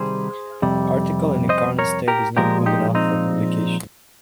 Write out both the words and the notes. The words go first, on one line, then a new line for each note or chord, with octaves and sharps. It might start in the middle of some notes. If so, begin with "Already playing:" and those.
The article in the current state is not good enough for publication.
Already playing: C3 D#3 G3 G#4 C5
F2 C3 G3
C5 D#5
A#4 C#5
G4 A#4
A#2 F3 G#3 G4 A#4
D#4 G4
C4 D#4